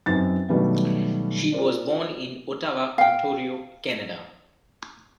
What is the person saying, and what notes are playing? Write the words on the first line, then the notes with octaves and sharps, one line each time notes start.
She was born in Ottawa, Ontario, Canada.
F#2 C4 D#4 B4 A6
B2 D#3 F#3 G3 A3 B3
F4 G#4 A#4 C5 D5
F5 G5